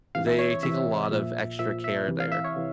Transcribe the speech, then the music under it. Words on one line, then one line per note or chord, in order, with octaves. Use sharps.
they take a lot of extra care there,
C3 E3 F5
E5
C#5
C#5
C3 E3 E5
A#2 F3
A#2 F3 E5
E5
C3 E3
F5
E5
C#5
C3 E3